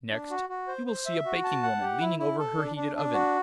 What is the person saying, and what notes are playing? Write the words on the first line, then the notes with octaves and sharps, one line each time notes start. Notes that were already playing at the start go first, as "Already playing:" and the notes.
Next, you will see a baking woman leaning over her heated oven.
D4
F#4
F#4
C5
C5
E5
F#4
A5
F#5
G4
E4
E4
A4
D4
D4
D4
F#4